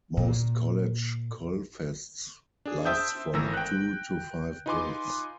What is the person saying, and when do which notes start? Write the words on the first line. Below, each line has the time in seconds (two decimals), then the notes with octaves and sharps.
Most college culfests last from two to five days.
0.17 A#2
2.66 D4 G#4
2.85 C5 E5 G5 A5 D#6 G6
3.33 G#1 E3 A3 A#4 E6 A#6
3.54 G5 F#6
4.66 D#4 F4 B4 G#5 C6 D6